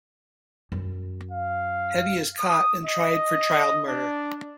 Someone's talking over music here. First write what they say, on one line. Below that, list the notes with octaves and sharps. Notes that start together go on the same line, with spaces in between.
Hetty is caught and tried for child murder.
F#2
F5
D#6
D#5
D4